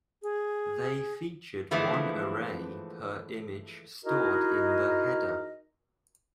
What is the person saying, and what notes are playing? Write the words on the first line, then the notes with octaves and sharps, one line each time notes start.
They featured one array per image stored in the header.
G#4
D3 E3 F3 G#3 A3 B3
D#4 E4 F#4 G#4 A#4 D#5